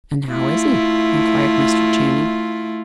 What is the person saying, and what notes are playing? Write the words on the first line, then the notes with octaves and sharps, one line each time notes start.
"And how is he?" inquired Mr. Channing.
A3 E4 F4